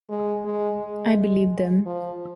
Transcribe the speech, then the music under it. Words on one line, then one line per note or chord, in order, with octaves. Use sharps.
I believe them.
G#3
G#3
G#3
F3